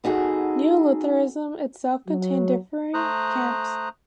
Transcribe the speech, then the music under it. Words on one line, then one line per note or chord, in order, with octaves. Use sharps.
Neo-Lutheranism itself contained differing camps.
B3 D#4 F#4 G#4 A4
F#3
A3 C5 A#5 D#6 F#6